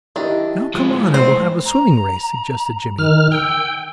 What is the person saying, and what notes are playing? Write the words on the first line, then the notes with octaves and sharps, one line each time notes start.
"Now come on and we'll have a swimming race," suggested Jimmie.
D#3 D4 E4 G4 D#5
A2 F3 G#3
C4 C5
A#5
D#3 F6
G5 E6